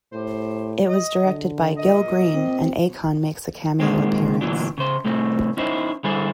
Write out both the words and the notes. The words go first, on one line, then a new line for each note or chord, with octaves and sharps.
It was directed by Gil Green, and Akon makes a cameo appearance.
A2 G4 C5
D#5
D3
A#2 D#5
C4
A#2 D#3 G#3 C4
D2 A#2 E3 F#3 D4
C#3 C5
C2 A2 A3 C4
C#4 D#4 E4 C5
D3 G3 E4 G#4 A4 C5